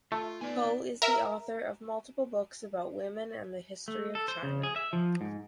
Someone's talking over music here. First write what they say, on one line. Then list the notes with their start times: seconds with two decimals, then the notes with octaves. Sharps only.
Ho is the author of multiple books about women and the history of China.
0.12 A3 F4
0.41 B3 D#4 D5 G#5
1.02 A#4 E5
3.88 A3
4.15 A4
4.28 C5
4.43 C#3
4.63 G#4
4.76 E5
4.93 F3
5.21 G#2